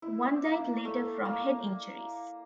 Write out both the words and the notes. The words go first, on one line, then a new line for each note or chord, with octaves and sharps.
One died later from head injuries.
E4
D4
A#3
A3
A#3